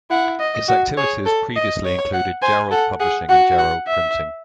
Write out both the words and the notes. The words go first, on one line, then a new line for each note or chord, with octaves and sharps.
Its activities previously included Jarrold Publishing and Jarrold Printing.
E4 F#5
D#5
F#4
G#4 C#5
A4
D#5
C#5
F#5
C5 G#5
A4 F#5
G#4 F#5
F#4 F#5
F#5
E5